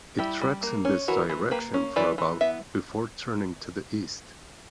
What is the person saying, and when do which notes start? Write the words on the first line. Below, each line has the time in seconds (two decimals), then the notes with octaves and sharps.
It treks in this direction for about before turning to the east.
0.19 G3 E4 G4
0.41 G3
0.63 A#3
0.85 C#4
1.08 E3 F#4 A#4
1.29 E3
1.51 A#3 G4 B4
1.74 C#4
1.96 E3 B4 D5
2.18 E3
2.41 B3 E5